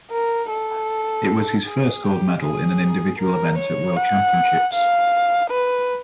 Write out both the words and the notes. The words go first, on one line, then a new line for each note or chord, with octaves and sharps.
It was his first gold medal in an individual event at world championships.
A#4
A4
G#4
G4
G#4
A#4
C#5
F#5
F5
B4